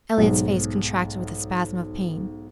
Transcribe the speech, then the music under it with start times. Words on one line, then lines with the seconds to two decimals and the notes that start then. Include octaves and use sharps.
Elliott's face contracted with a spasm of pain.
0.18 B1 G#2